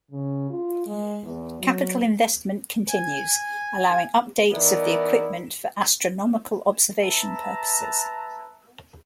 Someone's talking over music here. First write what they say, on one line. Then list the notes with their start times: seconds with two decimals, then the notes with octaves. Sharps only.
Capital investment continues, allowing updates of the equipment for astronomical observation purposes.
0.11 C#3
0.50 F4
0.86 G#3
1.23 E2
1.60 F#3
2.88 G#5
4.52 E3 B3 D#4 E4 A#4 D5
6.99 B4 E5 A5 A#5